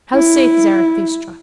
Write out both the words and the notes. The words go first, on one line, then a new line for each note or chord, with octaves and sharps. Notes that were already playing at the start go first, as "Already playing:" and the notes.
How saith Zarathustra?
E4